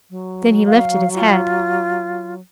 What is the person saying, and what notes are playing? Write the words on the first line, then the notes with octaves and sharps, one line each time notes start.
Then he lifted his head.
F#3
F5
F4